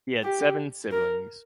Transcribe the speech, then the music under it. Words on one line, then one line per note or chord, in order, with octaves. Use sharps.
He had seven siblings.
G4
A#4